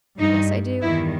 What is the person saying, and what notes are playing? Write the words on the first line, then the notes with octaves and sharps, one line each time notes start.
"Yes, I do."
G2 G3 D#4
E2 D#3 G3 E4